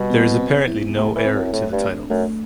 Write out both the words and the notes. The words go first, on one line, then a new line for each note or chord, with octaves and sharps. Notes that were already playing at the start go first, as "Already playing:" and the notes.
There is apparently no heir to the title.
Already playing: B2 G3
B3
C4
E4
C3 A3
E3
C4
F#2
A2 A3
G2
D4
F#2 A3